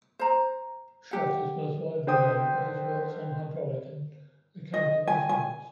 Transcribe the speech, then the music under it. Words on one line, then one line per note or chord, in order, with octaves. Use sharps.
Schott is most widely known for his works on hydraulic and mechanical instruments.
C5 A#5
G4 F#5
D3 C5 G5 D#6
D#5
G#5
G#5